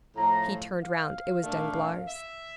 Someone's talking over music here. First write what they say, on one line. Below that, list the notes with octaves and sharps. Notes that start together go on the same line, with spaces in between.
He turned round; it was Danglars.
A2 F3 A3 A#5
F5
A#2 A3 D4
E5